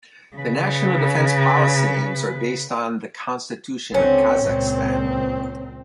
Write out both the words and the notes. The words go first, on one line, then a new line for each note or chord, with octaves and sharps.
The national defence policy aims are based on the Constitution of Kazakhstan.
C#3 B4
C#2 D3 C4 C#4
C#2 A#2 C4